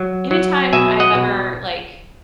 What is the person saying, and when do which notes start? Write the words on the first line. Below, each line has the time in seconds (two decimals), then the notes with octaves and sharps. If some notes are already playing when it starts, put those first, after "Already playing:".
anytime I've ever, like,
Already playing: F#3
0.31 F#3
0.73 B2 E5 G#5
1.00 D#5 F#5
1.15 B2